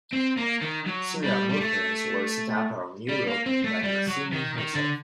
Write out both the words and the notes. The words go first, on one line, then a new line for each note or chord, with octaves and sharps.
Similar movements were set up around Europe by Mazzini himself.
C4
A#3
D#3
F#3
G3
G3
A3
G3
A#3
C4
A3
G3
F#3
D#3
D#3
D3